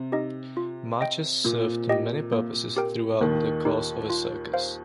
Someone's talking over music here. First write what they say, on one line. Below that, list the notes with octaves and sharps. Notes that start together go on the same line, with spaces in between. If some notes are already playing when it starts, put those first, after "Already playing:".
Marches served many purposes throughout the course of a circus.
Already playing: C3
D#4 G4 D#5
F4
D#5 G5
A#2 A#3
G4 D#5 G5
A#3
G4 A#4 G5
D#2 D#3 A#3
D#4 G4
F4
C5 F5